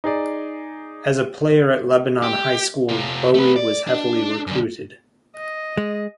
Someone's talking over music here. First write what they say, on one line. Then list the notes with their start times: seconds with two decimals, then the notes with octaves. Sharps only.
As a player at Lebanon High School, Bowie was heavily recruited.
0.04 D#4 G#4 D5
2.23 G4
2.89 C3 F4
3.34 A3 B4
3.56 D5
3.87 D4
4.47 F#2 D3
5.37 D#5
5.77 G#3